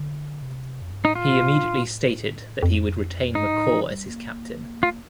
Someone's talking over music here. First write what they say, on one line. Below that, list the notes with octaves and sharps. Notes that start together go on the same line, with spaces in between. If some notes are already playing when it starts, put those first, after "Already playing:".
He immediately stated that he would retain McCaw as his captain.
Already playing: D3
C3
F2
G2
A2 D#4
A#2 F4
A2
F2
G2 D#4
A2
F3
G3
A#3
A3 F4
A#3